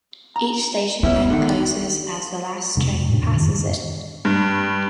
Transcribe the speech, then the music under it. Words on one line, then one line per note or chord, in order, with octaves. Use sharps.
Each station then closes as the last train passes it.
A#5
B3 C#4 E4
D3 D#3
F2 C3 G#3 D4
A2 D4
F2 C#3
F#2 D#3
G2